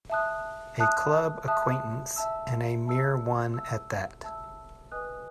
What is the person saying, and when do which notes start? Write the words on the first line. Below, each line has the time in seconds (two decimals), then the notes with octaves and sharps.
A club acquaintance, and a mere one at that.
0.10 E5 A5 D#6 F#6
0.79 E5 A5 D#6 F#6
1.48 E5 A5 D#6 F#6
2.16 E5 A5 E6
2.86 E5 A5 E6
3.54 E5 A5 E6
4.22 E5 A5 E6
4.92 B4 D#5 G#5 D#6 F#6